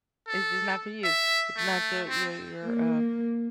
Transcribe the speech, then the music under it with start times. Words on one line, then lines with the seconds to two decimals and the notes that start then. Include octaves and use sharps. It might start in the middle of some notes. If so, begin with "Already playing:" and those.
It's just not for you. It's not your your your, uh
0.28 A4
1.04 E5
1.57 A3
2.09 C4
2.64 A#3